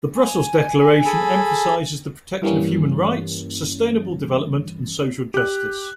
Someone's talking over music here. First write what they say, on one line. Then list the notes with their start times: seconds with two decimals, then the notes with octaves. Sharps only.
The Brussels declaration emphasises the protection of human rights, sustainable development and social justice.
0.19 G#5
1.05 G#4 A4 B5
2.42 G2 E3 G3 A#3 C#4
5.34 G4 F#6